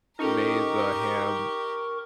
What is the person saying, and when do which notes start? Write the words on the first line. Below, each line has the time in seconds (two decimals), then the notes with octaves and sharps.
made the ham
0.19 C#4 D#4 F4 G4 A4 A#4 A#5 C#6